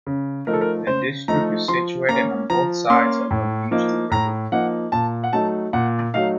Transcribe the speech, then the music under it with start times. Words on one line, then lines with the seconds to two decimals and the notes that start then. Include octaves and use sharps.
The district is situated on both sides of the Lech river.
0.07 C#3
0.47 F3 A3 D#4 A#4
0.53 A4
0.61 A#4
0.87 C#3 C5
1.28 F3 A3 D#4 A#5
1.68 F3 C6
2.09 A#3 C#4 A#5
2.50 F3 A#5
2.90 A#3 C#4 C6
3.31 A2
3.71 F3 A#3 D#4
4.11 A2 A#5
4.52 F3 A#3 D#4 F#5
4.92 A#2 A5
5.24 F#5
5.33 F#3 A3 D#4 A5
5.73 A#2 F#5
6.14 F#3 A3 D#4 F5